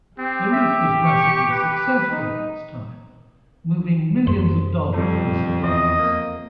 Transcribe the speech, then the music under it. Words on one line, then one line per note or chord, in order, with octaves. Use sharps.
The route was massively successful its time, moving millions of dollars in supplies.
C4 G4
E5
C#6
B4
D#4
F#2 C5
F2 G3 A4
E2 D#5
A#3